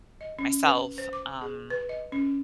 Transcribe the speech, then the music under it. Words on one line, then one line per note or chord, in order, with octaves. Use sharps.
myself, um,
D#5
C#4
B4
C5
D6
G#4
B4
D#5
C#4